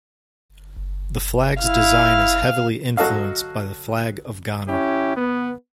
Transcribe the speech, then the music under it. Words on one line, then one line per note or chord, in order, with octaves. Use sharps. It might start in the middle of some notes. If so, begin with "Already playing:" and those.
The flag's design is heavily influenced by the flag of Ghana.
E4 F5
F#3 F#4 A4 D#5 F5
C#4 E4 G4
B3